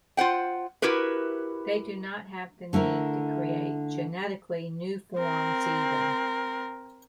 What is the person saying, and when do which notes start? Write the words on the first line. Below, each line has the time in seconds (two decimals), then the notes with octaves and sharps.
They do not have the need to create genetically new forms either.
0.17 F4 C5 F#5 G5
0.82 E4 F#4 G4 A#4 B4
2.73 D3 A3 E4 A#4
5.19 C4 A#4